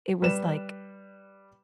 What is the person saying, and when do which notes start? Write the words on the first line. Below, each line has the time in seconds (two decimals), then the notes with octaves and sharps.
it was, like
0.22 G3 B4 E7